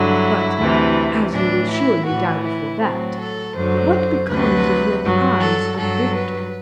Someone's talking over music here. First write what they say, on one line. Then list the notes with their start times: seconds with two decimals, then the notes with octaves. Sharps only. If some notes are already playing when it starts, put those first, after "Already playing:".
But, as you will surely die before that, what becomes of your prize of victory?
Already playing: G2 D3 F#3 E4
0.58 D2 C3 E3
1.33 A2 E3 D4
1.70 E4
2.06 A2 E3 F#4
2.43 E4
2.80 A2 F#3 C4
3.19 A4
3.54 F#2 D3 F#3 C5
4.29 D2 C3 F#3 B4
5.03 G2 F#3
5.40 A4
5.77 G2 F#3 A4
6.15 B4